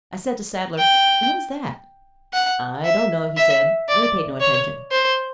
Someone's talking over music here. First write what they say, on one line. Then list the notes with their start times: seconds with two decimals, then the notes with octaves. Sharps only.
I said to Sadler: 'What is that?' 'I don't know,' he said, and we paid no attention.
0.79 G5
2.33 F#5
2.85 E5
3.37 E5
3.89 D5
4.40 C#5
4.92 C5